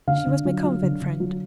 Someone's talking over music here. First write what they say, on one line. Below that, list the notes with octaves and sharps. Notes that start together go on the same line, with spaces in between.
"She was my convent friend."
D3 F5
D3
F#3
F#3
D3
D3
F#3